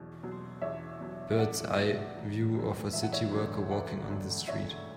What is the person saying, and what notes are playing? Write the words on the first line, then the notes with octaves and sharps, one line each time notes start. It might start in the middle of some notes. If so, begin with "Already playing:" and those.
Bird 's eye view of a city worker walking on the street.
Already playing: E2 B2 F#3
B2 F#3
E2 C#5 E5
B2 F#3
E5
E2 D5 F#5
B2 F#3
E1
D2 D3 F#3
E1 E5
F#5
C#5 E5
D2 D3 F#3
E1 D5 F#5
D2 D3 F#3
E1 C#5 E5